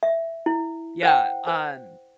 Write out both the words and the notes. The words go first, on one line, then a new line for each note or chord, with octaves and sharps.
Yeah, um,
E5
E4
C5 F#5 G5
C5